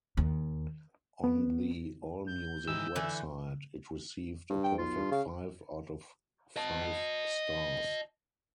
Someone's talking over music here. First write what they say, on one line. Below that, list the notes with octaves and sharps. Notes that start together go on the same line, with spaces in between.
On the AllMusic website, it received a perfect five out of five stars.
D#2
B3
G6
G#2 D#3 E3 E6
D3 E3 E5
G2
G5
B1 F4
G2
C#3 F5
D#5 A5